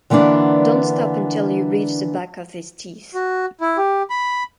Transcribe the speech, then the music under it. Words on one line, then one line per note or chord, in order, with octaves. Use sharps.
Don't stop until you reach the back of his teeth.
D3 E3 A#3 B3 D4
F#4
E4
G4
B5